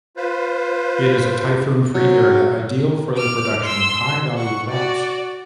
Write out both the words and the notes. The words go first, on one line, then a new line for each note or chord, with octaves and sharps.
It is a typhoon-free area ideal for the production of high value crops.
F4 B4 C5
F#3 C4
D6 F6
C6 E6
F#5 C#6
F#4 D5